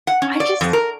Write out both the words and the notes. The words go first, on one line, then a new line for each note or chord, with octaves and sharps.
I just
F#5
C#4
D5
F2
A#4